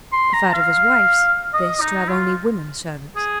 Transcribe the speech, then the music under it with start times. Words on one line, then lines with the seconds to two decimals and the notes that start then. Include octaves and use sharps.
A fad of his wife's, this, to have only women servants.
0.12 C6
0.33 A#5
0.53 F5
1.53 D#5
1.81 D#4
2.08 F4
3.16 G#4